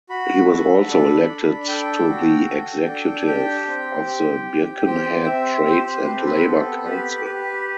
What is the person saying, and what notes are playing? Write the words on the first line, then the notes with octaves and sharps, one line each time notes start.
He was also elected to the executive of the Birkenhead Trades and Labour Council.
F#4 B5
A4
D4 B5
D4
A4 G5
F#4
A4
D4
G4 G5
C4
G4
G4
C4 G5
C4 E5
G4 C5
C4 B4
A4
B4
B3 A4
G4 B4
G4 B4